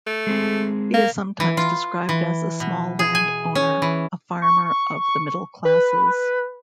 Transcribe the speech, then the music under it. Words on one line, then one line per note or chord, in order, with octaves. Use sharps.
He is sometimes described as a small landowner, a farmer of the middle classes.
A3
G#3 C4 G#4
A#3
E3
F4
E3
B2
G#4
G#5
C#4
E3
C#6
B4